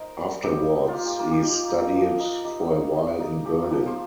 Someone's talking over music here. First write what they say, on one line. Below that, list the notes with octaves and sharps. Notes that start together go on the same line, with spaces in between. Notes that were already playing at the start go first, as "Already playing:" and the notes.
Afterwards, he studied for a while in Berlin.
Already playing: D#4 A#4 C5
G3
D#4 G4
D#4
F4
A#3 G4
G4
A#3 F4
G4
D#4
D#4
F3
D#4
D#4 G4
D#4
D#4
D#4
F3 G4
F4
F3 G4
C5